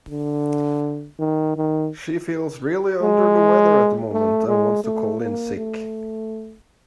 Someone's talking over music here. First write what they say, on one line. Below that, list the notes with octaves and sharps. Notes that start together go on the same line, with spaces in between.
She feels really under the weather at the moment and wants to call in sick.
D3
D#3
D#3
G#3
A3
G#3
A3
A#3
A3